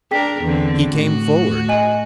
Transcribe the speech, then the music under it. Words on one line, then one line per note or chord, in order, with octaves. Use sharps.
He came forward.
D4 G#4 A#4 G5 B6
E2 D3 C4
A2 F#4
D#5 G#5 D#7